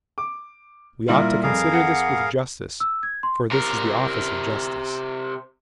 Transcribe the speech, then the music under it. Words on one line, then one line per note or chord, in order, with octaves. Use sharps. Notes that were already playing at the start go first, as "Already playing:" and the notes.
We ought to consider this with justice, for this is the office of justice.
D6
A#2 G3 E4 F4 A#4
F2 G#4 A#4 F5
F#5
E6
G#6
C6
C3 A#4